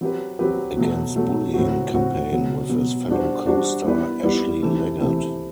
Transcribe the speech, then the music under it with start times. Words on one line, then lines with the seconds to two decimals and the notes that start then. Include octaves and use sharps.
Against Bullying campaign with his fellow co-star Ashley Leggat.
0.01 F#3 C4 G4 B4
0.39 F#3 C4 G4 B4
0.77 B2 F#3 A3
1.16 B2 F#3 A3
1.54 A2 F#3 C4 F#4
1.93 A2 F#3 C4 F#4
2.32 B2 F#3 B3
2.69 B2 F#3 B3
3.08 G3 D4 F#4 C5
3.47 G3 D4 F#4 C5
3.85 G3 B3 E4 B4 D5
4.23 G3 B3 E4 B4 D5
4.63 C3 E3 A3 C4 E4
5.00 C3 E3 A3 C4 E4